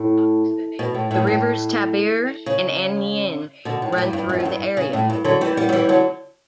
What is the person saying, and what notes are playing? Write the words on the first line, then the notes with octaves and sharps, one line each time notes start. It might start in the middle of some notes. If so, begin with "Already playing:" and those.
The rivers Tiber and Aniene run through the area.
Already playing: A2
B2
A2
A2
G2
A2
C#3
B2 D3
A2
A2
G2
G2
F#2
A2
G2
C#3
A2
G2
D3 F#3
E3 G3
G3 B3
F#3
E3 G3
D3 F#3